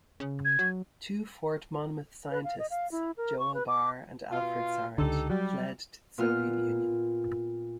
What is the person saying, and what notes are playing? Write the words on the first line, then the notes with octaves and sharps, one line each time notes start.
Two Fort Monmouth scientists, Joel Barr and Alfred Sarant, fled to the Soviet Union.
C#3
G#6
F#3
B4
F5
D#5
F5
E4
A#4
C#6
B4
D6
B2 F4
C#2 D3 D#4 G4 A4
F#3 G3
A#2 B3 F4 F6